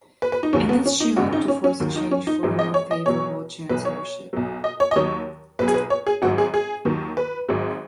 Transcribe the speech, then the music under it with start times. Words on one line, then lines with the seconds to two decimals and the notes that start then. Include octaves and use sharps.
In this she hoped to force a change for a more favorable chancellorship.
0.22 B4
0.32 B4
0.43 D#4
0.53 D#2 C#3 F#3 C#4
0.69 B3
0.86 C#4
1.00 D#4
1.16 G#1 F#2 C#3 F#4
1.33 D#4
1.48 C#4
1.64 C#4
1.80 D#2 D#3 F#3
1.96 D#4
2.11 C#4
2.27 D#4
2.43 G#1 G#2 F#3
2.59 D#5
2.74 C#5
2.91 D#5
3.06 B1 B2 F#3 C#5
3.69 B1 B2 F#3 B4
3.85 C#5
4.33 B1 B2 F#3
4.64 D#5
4.80 C#5
4.91 D#5
4.96 D#2 D#3 F#3 C#5
5.59 B1 B2 F#3 B4
5.68 G#4
5.74 B4
5.90 C#5
6.07 G#4
6.22 G#1 G#2 F#3 F#4
6.38 G#4
6.54 G#4
6.85 D#2 D#3 F#3
7.17 B4
7.48 G#1 G#2 F#3